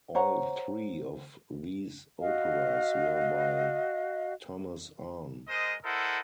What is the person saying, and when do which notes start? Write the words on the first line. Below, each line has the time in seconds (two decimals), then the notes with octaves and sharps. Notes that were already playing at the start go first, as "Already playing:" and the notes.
All three of these operas were by Thomas Arne.
0.15 C5 C#5 F#5 A#5
2.19 F#4 D#5 F5
5.48 G#3 A#4 C5 D#5
5.84 E4 A4 A#4 C5 D#5 F#5